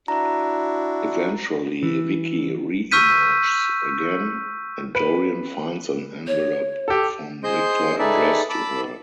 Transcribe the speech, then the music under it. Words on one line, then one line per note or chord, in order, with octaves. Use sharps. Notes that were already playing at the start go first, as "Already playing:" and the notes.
Eventually, Viki reemerges again, and Dorian finds an envelope from Victor addressed to her.
D4 E4 F#4 A#5
E3
C#6 E6 F6 G6 B6 D#7
B4
C#5
G4 A4
G#4 C5 D#5 C6 G6
D#4 G#4 A4 B4 D5 E5
A5 B5 D6 E6